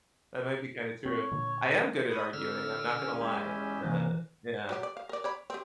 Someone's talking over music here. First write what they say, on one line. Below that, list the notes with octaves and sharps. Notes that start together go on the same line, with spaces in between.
that might be kinda true; I am good at arguing, I'm not gonna lie, eh yeah.
C4 C#5
A#2 D3
B5 C#6 D#6
F2 D3 E6 F6
E2 C#4
G#3 E4 G4
C3 E3 A#3
F#3 G3 G4
D5
F5
A#4 D5
C#5 D5 B5
C4 G4